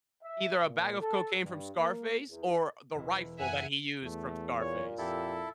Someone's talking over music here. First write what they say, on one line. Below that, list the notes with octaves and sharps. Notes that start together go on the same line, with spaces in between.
either a bag of cocaine from Scarface or the rifle that he used from Scarface.
E5
A#2
A4
G2
A#3
E2
E1 E4
F#2 E5 F#5 G#5
E2 A3
A#2 C#5
F2 E4 G4 A4